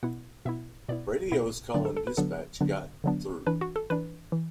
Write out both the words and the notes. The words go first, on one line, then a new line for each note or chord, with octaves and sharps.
Radios calling dispatch got through.
B2 B3 E4 F#5
B2 B3 E4 E5
B2 B3 E4 D5
B2 B3 E4
D3 F#3 B3 D4 D5
A4
A4
B4
D3 F#3 B3 D4 A4
D3 F#3 B3 D4
D3 F#3 B3 D4
E3 D4 B4
F#4
A4
E3 D4 B4
E3